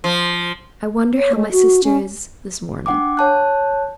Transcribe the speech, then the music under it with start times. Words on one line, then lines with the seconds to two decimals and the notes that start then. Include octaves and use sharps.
'I wonder how my sister is this morning.'
0.04 F3
1.17 C#5
1.35 G#3
1.52 F#4
1.84 C#4
2.86 D4 F#5 G5 D6
3.17 C#5 A5 F#6